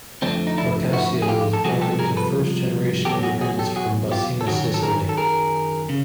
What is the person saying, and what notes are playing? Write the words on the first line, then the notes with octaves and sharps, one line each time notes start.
Locascio was born to first generation immigrants from Baucina, Sicily.
F2 D3 F3 A3 C4 D4
D#4
D4 E4
E4 F#4
G#4
F4 G4
A4
C2 C3 F3 G#3 F#4 G#4
G4 A4
G#4 A#4
A4 B4
E2 B2 F#3 G4 A4
F#4 G#4
F#4 G#4
G4 A4
F#4 G#4
F4 G4
A4
F#2 D#3 F#3 F#4 G#4
A4
G#4 A#4
A4
G#4 A#4
C#3